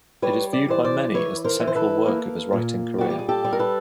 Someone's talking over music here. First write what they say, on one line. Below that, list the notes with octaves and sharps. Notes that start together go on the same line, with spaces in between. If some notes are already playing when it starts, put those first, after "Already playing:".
It is viewed by many as the central work of his writing career.
G3 B4 C#5
D5
E3 C5 D5
C5 D5
E3 B4 C#5
A#4 C5
E3
C5
A4 B4
A#3
A#2
G3 F#4
G4
G#4
G4 A4
G3
A#4
A4 B4